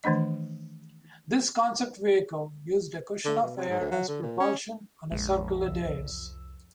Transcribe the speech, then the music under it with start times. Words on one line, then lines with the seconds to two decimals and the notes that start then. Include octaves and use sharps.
This concept vehicle used a cushion of air as propulsion on a circular dais.
0.04 D#3 E3 A3 D4 D#5
3.25 D3
3.42 B2
3.57 C3
3.69 G#2
3.80 D2
3.91 F#3
4.08 D3
4.23 A#2
4.40 C#4
5.12 A#1 F2 F3 G#3
5.63 C2 E6